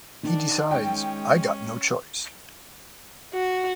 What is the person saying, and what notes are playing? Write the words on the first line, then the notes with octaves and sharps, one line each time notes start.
He decides: I got no choice.
D#3 D4
G#3 C#4 G5
F#4